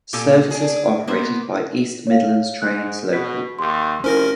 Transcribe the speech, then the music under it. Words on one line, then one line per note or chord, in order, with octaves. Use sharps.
Services are operated by East Midlands Trains Local.
A#2 G4 A4 G#5
D4 G#4
A#3 B3 C5
C#5 F5
G#2 F#6
B2 B6
D#2 C6 D6
F1 C#4 E4 A#4 C5 A#6